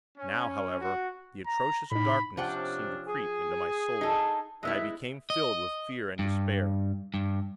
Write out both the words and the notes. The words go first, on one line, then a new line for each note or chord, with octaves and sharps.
Now however the atrocious darkness seemed to creep into my soul, and I became filled with fear and despair.
C#4
F#4
A#5
A2 D#4 B5
C3 F3 C#4 D4 F#5 G5
G#4
D#4 A4
D#2 G#3 B3 E4 E5
D#5
G2
G2